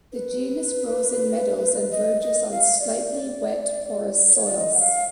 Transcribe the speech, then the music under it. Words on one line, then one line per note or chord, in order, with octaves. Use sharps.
The genus grows in meadows and verges on slightly wet porous soils.
B4
D#5
D#5
F5
D5
C#5
D5
D#5
F#5
F5